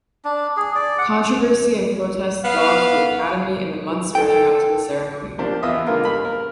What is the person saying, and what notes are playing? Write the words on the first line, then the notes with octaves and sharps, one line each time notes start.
Controversy and protests dogged the Academy in the months running up to the ceremony.
D4
G#4
D5
F#5
B3 F5
A4 G5
F3 A#3 D4 G4
E2 B3 F4 D#5 E5 D#6
D3 G#3 A#3 F4 A#4
G2 A#4 B5
A#4